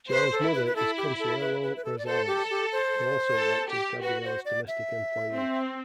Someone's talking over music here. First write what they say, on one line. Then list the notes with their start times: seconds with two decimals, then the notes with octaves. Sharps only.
Joao's mother is Consuelo Rosales, who also worked as Gabriel's domestic employee.
0.10 B4 C5
0.32 A4
0.43 E4
0.54 B4
0.66 B4
0.75 E4 A4
0.97 G4
1.19 A4
1.41 B4
1.62 B4
1.76 B4
1.84 A4
1.98 D5
2.06 A4 C5
2.27 G4
2.50 G4
2.72 C5
3.37 A4
3.69 G4
4.02 F#4 B4
4.25 C5
4.45 D5
4.68 E5
5.32 C4